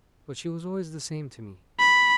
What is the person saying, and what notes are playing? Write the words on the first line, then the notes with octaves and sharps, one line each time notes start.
But she was always the same to me.
B5